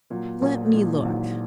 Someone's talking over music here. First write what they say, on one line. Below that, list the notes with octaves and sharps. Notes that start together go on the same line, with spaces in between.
"Let me look."
A#2 F#3 A#3
A#1 F#3 A#3
A#2 E3 G#3
E3
A#1 D#3 F#3